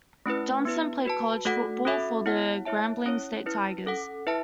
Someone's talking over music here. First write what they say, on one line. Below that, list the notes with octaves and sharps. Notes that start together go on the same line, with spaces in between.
Johnson played college football for the Grambling State Tigers.
A3 C#4 E4 B4
B3 E4 B4
F#4 B4 A5
A3 F#4 A4 F#5
C#4 F#4 A4 E5
B3 E4 C#5 F#5
E4 C#5 E5 A5
C#4 E4 C#5
C#4 E4 B4
C#4 A4 F#5
E4 B4 E5 A5